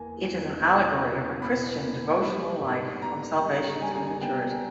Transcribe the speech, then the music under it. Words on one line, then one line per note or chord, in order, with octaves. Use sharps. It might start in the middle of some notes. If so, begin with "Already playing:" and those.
It is an allegory of a Christian devotional life from salvation through maturity.
Already playing: E2 A#3 G#5
E2
B2
A#3
B2 B5
A#3
G3 B5
G#2
B3 A#5
G3
G3 G#5
A#5
G#5
B3 G5